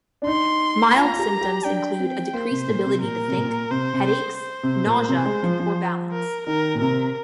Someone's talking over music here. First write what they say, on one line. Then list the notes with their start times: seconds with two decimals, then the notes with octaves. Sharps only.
Mild symptoms include a decreased ability to think, headaches, nausea, and poor balance.
0.22 D4
0.27 D#4 C6
0.96 F4 A#5
1.14 F4
1.19 G4
1.41 G4
1.64 D4 G5
1.99 C4
2.33 A#3 C5
2.51 C3
2.67 A#2
2.85 C3
3.02 A#2 A#4
3.28 C3
3.37 A#2
3.71 C3 C5
3.93 C3
4.05 C5
4.40 C5
4.63 C3
4.86 A#2
5.09 C3
5.25 G#3
5.43 F3
5.60 F3
6.12 A#4
6.47 D#3 A#4
6.75 A#2
6.81 C3 A#4